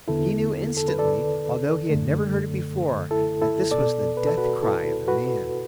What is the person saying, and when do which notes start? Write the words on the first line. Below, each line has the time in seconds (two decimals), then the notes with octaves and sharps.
He knew instantly, although he had never heard it before, that this was the death cry of a man.
0.08 E2 D3 B3 E4 A4
0.77 A4
0.88 B4
0.98 A4 D5
1.90 F#2 D3 A3
3.11 E4 A4
3.42 E4 A4
3.71 B2 B3 A4 D5
4.17 B4
4.27 A4
4.38 F#4 B4
4.62 E4 A4
5.08 F#4 B4